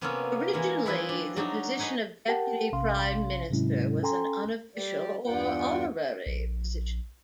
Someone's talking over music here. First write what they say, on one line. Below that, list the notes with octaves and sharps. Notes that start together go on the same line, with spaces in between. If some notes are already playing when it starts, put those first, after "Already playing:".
Originally the position of deputy Prime Minister was an unofficial or honorary position.
C3 A#3 B3 C#4 F4 A4
E3 G#3 A#3
E3 F3 G3 E4 G#4 B4
D4
F#3 D4 D#4
D#4 G#4 B4 C#5 D#5
G4 A#4 F#5 G5 A5
A#1 C3 C#4 F5 C6
G#2 C3 F#3 G#3 C#4 E4
C#4 A4 G5 G#5 A#5 C6
G3 G4 D5
E2 G2 G3 F4 F#5 G5
A#1